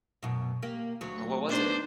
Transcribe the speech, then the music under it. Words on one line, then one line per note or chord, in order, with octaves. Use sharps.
Oh, what was it?
F#2 B2
A#3 G4
D2 F#3
B3 D4 D#4 C5